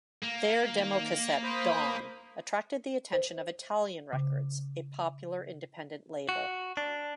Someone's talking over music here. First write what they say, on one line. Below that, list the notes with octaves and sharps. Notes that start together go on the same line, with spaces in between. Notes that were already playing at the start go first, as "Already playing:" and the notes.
Their demo cassette Dawn attracted the attention of Italian Records, a popular independent label.
A#3
D#3
C5 B5 D#6
C5
C#3
F#4
D4